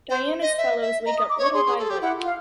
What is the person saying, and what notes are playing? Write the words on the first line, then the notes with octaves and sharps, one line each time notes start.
Diana’s fellows wake up little by little.
C5
D#5
E5
E5
D#5 A#5
D#6
D6
C#5 C#6
G#4 C6
G#4
A4
G4
E4 F#5
F4
F5